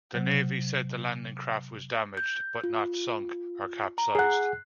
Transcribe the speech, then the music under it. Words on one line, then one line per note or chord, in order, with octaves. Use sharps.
The Navy said the landing craft was damaged, but not sunk or capsized.
C3 F#3
G6
F4
A#5
G#4 F#5 F#6 C7